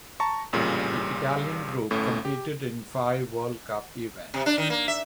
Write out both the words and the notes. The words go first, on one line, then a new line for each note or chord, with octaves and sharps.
The Italian group competed in five World Cup events.
A5 A#5 C#6
A1 F2 A#2 C#3 G3
G1 A2 A3 C#4
G4
C3
D4
D#3
A#3
E5